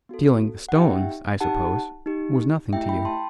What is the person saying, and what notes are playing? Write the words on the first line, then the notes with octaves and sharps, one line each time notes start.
Stealing the stones, I suppose, was nothing to you.
B3 F#4 A4
F#5
D#4 G4 E5 G5
D#4 G4 F#5 A5
D#4 G4
A3 E4 G4 E5 G5
G5 B5
A5 C6